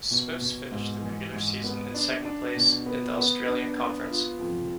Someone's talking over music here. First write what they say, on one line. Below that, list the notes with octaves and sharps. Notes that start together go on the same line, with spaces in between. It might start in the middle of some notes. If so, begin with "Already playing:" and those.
Swifts finished the regular season in second place in the Australian Conference.
B2
B2
G#2
E3
G#2
B3
D4
D4
B2
B3
B3
D4
B3
F4
F2